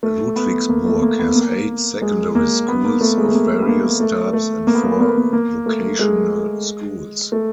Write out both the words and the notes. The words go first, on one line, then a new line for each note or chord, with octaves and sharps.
Ludwigsburg has eight secondary schools of various types and four vocational schools.
A3
B3
A#3
A3
A#3
B3
A#3
G#3
A#3
B3
A#3
A3
G#3
A3
A#3
B3
A#3
A3
A3
A#3
B3
A#3
B3
A#3
B3
A#3
A#3
A3
G#3
A3